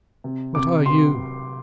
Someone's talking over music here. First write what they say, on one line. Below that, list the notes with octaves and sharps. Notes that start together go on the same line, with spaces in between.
What are you?
C3
C3 D6
C3 C6